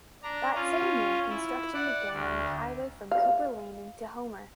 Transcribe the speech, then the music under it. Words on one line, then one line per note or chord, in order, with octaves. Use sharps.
That same year, construction began on the highway from Cooper Landing to Homer.
D4 A#5
C#4 F4
E4
D5 F#5
D2
F5